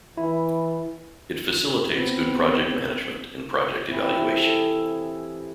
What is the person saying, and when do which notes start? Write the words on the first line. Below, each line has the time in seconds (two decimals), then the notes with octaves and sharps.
It facilitates good project management and project evaluation.
0.17 E3 E4
1.94 B3 C4
3.88 C3 E3 E4
4.26 G#4 A4